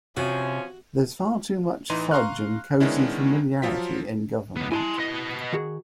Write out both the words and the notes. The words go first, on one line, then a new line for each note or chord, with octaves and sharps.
There's far too much fudge and cosy familiarity in government.
C3 F3 C#4 F#4
A1 E3 D#4 C6 D#7
F5 A#5 C6 C#6 F6 F#6
D#3 G#3 B3 C#4 D4 E4
F3 F#3 F4 B6
C#2 B3
E4 G#5 A5 C6
B3 D#5
D#3 F#4 G#4